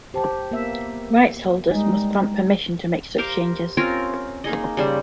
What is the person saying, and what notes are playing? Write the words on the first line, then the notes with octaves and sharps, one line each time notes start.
Rights-holders must grant permission to make such changes.
G4 C5 A5
A#3 B3 E5
G3 G#3 D#4
G4 A#4 C5 F5
C4 C#4 F4 A#4
A#3 D#4 G#4 D#5
C#3 G3 C5